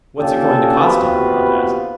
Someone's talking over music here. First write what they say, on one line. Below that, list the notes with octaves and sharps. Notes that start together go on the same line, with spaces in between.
"What's it going to cost him?" Blount asked.
A#3 C#4 D4 F4 G4 A4
D#2 C3 B3 F4 F#4 B4